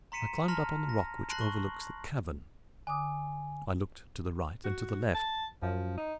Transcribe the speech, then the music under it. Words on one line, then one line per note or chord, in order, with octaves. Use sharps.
I climbed up on the rock which overlooks the cavern; I looked to the right and to the left.
A#5 C6 B6 C#7 D#7 E7
A5 A#5 C6 F6 A#6 F7
A#6
A5 C6 F#6 A#6 C7 F#7
C#6
D3 G#5 D6 D#6
F#4
A5
F#2 F3
D#4